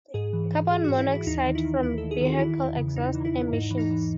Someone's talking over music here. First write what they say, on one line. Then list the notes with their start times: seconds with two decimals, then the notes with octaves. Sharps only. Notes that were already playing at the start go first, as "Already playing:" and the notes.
Carbon monoxide from vehicle exhaust emissions.
0.14 G#2 G#4
0.33 E3
0.51 E3
0.70 G#2 G#4
0.84 G#2 F#4
0.98 E4
1.07 E3
1.13 E4
1.26 D#2 D#4
1.45 D#3
1.55 E4
1.64 D#3
1.83 D#2 E4
1.98 D#2 A4
2.11 G#4
2.21 D#3 F#4
2.39 E3 E4
2.58 E2
2.77 C#3
2.96 E2 D#4
3.15 E3
3.25 E4
3.34 E2
3.52 G#2 D#4
3.71 E3
3.78 D#4
3.91 E3